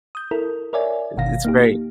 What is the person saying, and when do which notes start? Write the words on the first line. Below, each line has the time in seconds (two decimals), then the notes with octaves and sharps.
it it's great.
0.15 D#6 G6
0.31 E4 A4 A#4
0.73 A#4 C#5 D5 E5 G#5
1.17 G1 B2 D#3 F5 A#6
1.45 A#3 D#4 G4